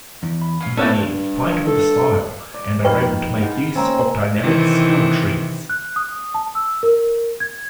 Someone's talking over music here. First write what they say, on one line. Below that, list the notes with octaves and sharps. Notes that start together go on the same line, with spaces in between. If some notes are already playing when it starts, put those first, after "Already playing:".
They "fight with style" and are able to make use of dynamic skill trees.
E2
B5
C#4 F4
B3 C#4 D4 E4 F#4 A4 A5
G2
A4
D5
F2 D#3 B4 G5 B5 C#6
D#4 G#4 F#5
A#3 C4 C#4 G#5 A#5
C3 D#3 E3
F#6
D#6
A5
E6
A#4
G#6